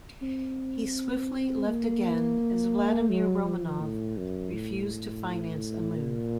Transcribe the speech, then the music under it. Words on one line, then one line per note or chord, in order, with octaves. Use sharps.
He swiftly left again as Vladimir Romanov refused to finance a move.
C4
A#3
F#3
F3
A2
F#2
A2
A#2